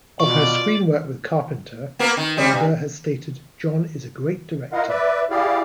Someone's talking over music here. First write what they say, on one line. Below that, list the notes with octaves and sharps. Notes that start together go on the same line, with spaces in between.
Of her screen work with Carpenter, Barbeau has stated: John is a great director.
B2 F4 D5 C#6
A#3 B3 A#4
D#3
C3 G3 G#3
G2
E4 F4 A#4 D#5 F5 F#5
B4 D5 E5
E4 G4 G#4 D5 F5